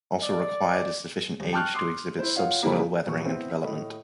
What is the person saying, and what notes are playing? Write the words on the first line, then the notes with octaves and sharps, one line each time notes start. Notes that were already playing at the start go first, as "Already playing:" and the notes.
Also required is sufficient age to exhibit sub-soil weathering and development.
D5
D#1
G5 A5 C#6 F6 F#6
C6 D6 D#6 C7
E4 C5
F4 C#5 F5 F#5
C#3 E3 G3 A#3
G2 A#2 F3 C#6
B3 C4 E4 B4 C5
A2 A4 D#5 B5